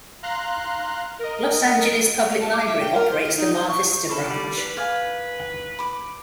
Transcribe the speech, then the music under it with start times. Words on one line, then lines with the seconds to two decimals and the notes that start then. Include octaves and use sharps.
Los Angeles Public Library operates the Mar Vista Branch.
0.23 F5 A#5 C6 F#6
1.19 A#4 D#5
2.41 A5
2.53 D6
2.66 E5
2.81 G5
2.94 A#4
3.10 C5
3.23 D#5
3.37 D#4
3.54 C5
3.68 C#6
4.09 C#4 A4 B4 D5
4.29 G3
4.57 B4
4.77 F5 G#5
5.79 B5 D6